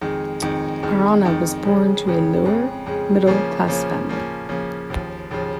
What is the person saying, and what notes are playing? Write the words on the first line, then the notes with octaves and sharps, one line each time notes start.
Arana was born to a lower-middle-class family.
F2 D#3 G#3
F2 D#3 G#3
F2 D#3 G#3
F2 D#3 G#3
F2 C#3 G#3
F2 C#3 G#3
F2 C#3 G#3
F2 C#3 G#3
C#3 F3 A#3 C#4
C#3 F3 A#3 C#4
C#3 F3 A#3 C#4
C#3 F3 A#3 C#4
D#2 C#3 F3
D#2 C#3 F3